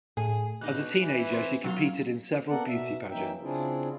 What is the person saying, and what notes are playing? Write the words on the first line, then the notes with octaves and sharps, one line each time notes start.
As a teenager she competed in several beauty pageants.
A2 G#4
B2 G3 D#4 F#6
E3
C4
A#2 F#3 F4
A#3 B3 A4 A#4 D5 F#5
B2 E5
E3 F#3 A#3 D#4 E5 G5
C#3 C4 D4 E4 F4 G#4